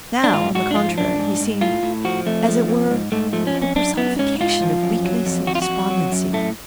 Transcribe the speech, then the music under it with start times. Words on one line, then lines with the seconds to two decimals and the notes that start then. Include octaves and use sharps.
Now, on the contrary, he seemed, as it were, the personification of weakness and despondency.
0.24 D4
0.33 G#2 F4
0.55 G#2 F#4
0.71 D4
0.75 F3 F4
0.98 F#2 D4
1.18 G#2
1.41 G#2
1.61 A2 F4
1.83 A2
2.05 F3 F#4
2.26 F2 A3
2.48 F3
2.68 F2
2.91 G#2
3.12 G#2 A3
3.33 F3 A3
3.47 C#4
3.55 F2
3.62 C#4
3.76 F#2 D4
3.97 F#2 B3
4.19 G#2 C#4
4.41 G#2 F4
4.62 F3
4.83 F#2
5.05 F#3
5.26 F2
5.47 F2 F#4
5.55 F4
5.62 F#4
5.69 F2
5.90 F#3
6.12 F#2
6.33 A2 A3